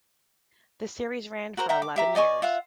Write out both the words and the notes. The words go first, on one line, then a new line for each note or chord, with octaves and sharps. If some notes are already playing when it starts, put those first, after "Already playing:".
The series ran for eleven years.
F#4 A#4 C5 A#5
E5 F#5 G5 A#5
D6
G4 E5 A#5
D5 D#5 G#5 C#6
F4 E5 F#5